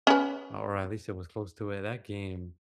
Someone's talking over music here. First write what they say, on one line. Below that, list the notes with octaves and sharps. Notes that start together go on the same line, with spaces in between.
or at least it was close to it. That game
C#4 B4